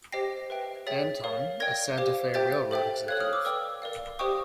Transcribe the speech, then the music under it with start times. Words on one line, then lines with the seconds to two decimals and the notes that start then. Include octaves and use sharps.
Anton, a Santa Fe railroad executive.
0.12 G4 C5 D#5 G5 A#6 C7
0.50 B4 E5 G5
0.87 G#4 C#5 E5 G5 A6 B6
1.24 A#4 C#5 F5
1.60 A#4 D5 G5 G#6 A#6
1.98 G4 C5 F5
2.34 G4 C5 E5 G5 G6 A6
2.71 A4 C5 E5 G5
3.08 A4 C#5 F5 F#6 G#6
3.20 D#6 F6
3.33 D6 E6
3.45 B4 D5 G5 D6 E6
3.82 A#4 D5 F5
4.19 G4 C5 D#5 G5 C#6 D#6